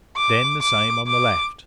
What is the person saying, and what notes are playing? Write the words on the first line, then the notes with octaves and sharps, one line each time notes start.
Then the same on the left.
D6
D6
D6